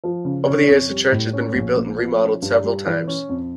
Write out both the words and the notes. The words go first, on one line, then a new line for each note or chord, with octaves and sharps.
Over the years the church has been rebuilt and remodeled several times.
F3
C#3
C#4
F2
G3
A2
C#4
A#1
A#3
F3
C#4
G2
G3
E3
C#4
F2